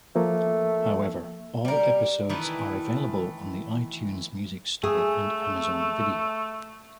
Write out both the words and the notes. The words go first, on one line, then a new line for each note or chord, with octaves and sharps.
However, all episodes are available on the iTunes Music Store and Amazon Video.
F3 A3 A#3
G3 A#4
D#3 E3 A3 B4
A3 G#4